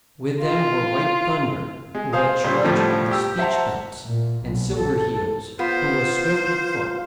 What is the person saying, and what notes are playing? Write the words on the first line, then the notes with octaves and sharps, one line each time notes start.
With them were White Thun-der, who had charge of the "speech-belts," and Sil-ver Heels, who was swift of foot.
F4
G#3
G#4 C5 F5 D#6
A#2 G3 C5
A2 D3 F3 G3 A3
G4 E6
C5 E5 F#5 A5 A#5
A#2
B1
A4
B3 F4 C5